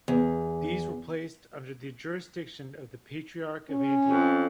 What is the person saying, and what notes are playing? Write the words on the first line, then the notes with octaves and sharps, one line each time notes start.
These were placed under the jurisdiction of the patriarch of Antioch.
E2
C#4
F2